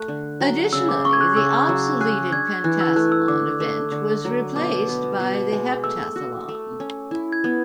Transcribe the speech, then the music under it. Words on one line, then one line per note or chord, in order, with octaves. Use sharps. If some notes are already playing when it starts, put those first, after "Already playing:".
Additionally, the obsoleted pentathlon event was replaced by the heptathlon.
Already playing: A3 F#6
D3
F#3
C#3 E6
D6
C#4 C#6
G#6
F#6
C#3 E6
F#3 E6
G#4 F#6
D4 G#6
E3 F#6
E6
A3 F#6
E6
D3 D6
A3
D3
F#3
B2 D6
B3
B2
G#3
A3 E6
F#4
A3
C#4
E4
G#6
B3